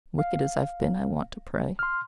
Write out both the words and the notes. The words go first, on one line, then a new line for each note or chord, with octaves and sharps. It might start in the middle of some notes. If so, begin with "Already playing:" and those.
Wicked as I've been, I want to pray.
F5
C6 F6